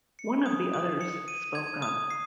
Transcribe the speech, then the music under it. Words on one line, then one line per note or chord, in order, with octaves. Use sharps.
One of the others spoke up.
C#7
D#6
D#6
C#7
D#7
G#6
D#6
C7